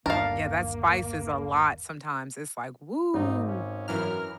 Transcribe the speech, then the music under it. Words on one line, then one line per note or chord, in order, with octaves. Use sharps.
Yeah, that spice is a lot sometimes. It's like, "Whoo."
G1 D#2 A#3 D4 A#4 F5 A5
G#1 D#4
C#4
F#2 E3 A#4 F6